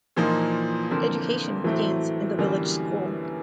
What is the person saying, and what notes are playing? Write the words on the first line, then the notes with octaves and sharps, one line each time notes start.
Education begins in the village school.
A#2 E3 F3 A#3 D#4
F2 D3 F3 A#3
A2 E3 F#3 A3 C4
F#2 D3 E3 G3 A#3